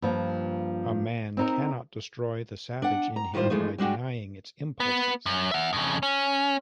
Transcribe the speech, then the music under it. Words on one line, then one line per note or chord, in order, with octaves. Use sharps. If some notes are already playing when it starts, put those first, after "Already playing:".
A man cannot destroy the savage in him by denying its impulses.
G2 F3 A#3
C4 D#4 A#4
D4 F#5
A#5
A2 D#3 G3 F4 C5
E3 F3 G#3 A3 D#4
G3 G#3 D4 F#4 G4
B3
F#2
E5 F#5
F2 C#3
C#4